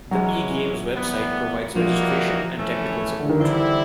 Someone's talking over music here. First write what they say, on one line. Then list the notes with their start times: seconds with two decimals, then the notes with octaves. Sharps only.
The eGames website provides registration and technical support.
0.11 E3 F#3 G#3 C#4
0.93 E3 G3 B3
1.75 E3 F3 G3 A#3 D#4 F#4
2.57 E3 A3 C#4
3.19 D3
3.29 D#3
3.39 D3 E3 G3 C4 E4